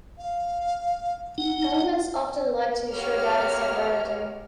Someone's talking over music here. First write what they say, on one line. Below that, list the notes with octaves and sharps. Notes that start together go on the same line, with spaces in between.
Governments often like to ensure data sovereignty.
F5
D#4 F#5
A#3 B3 F#4 G4 C#5 F6